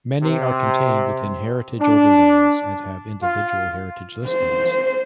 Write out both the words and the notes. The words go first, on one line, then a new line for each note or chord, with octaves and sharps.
Many are contained within heritage overlays and have individual heritage listings.
C3
D4
F4
C5